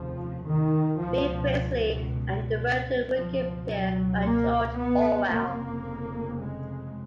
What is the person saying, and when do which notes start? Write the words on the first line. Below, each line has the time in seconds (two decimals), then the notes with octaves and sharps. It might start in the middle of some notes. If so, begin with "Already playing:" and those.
B. Priestley and "The Road to Wigan Pier" by George Orwell.
Already playing: F1 D#2 C#3 F3
0.46 D#3
0.99 C#2 B2 F3
3.15 C#2 B2 F3
3.68 F#3
4.22 A#3
4.75 B3
5.29 F1 F2 C#3 A#3
6.38 G#3